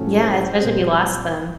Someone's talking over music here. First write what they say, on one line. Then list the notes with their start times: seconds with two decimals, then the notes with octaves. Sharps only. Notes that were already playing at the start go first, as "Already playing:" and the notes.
Yeah, especially if you lost them.
Already playing: A2 F3 A3 C#4 F#4
0.10 C#5
0.20 C5
0.61 A#2 G3 C4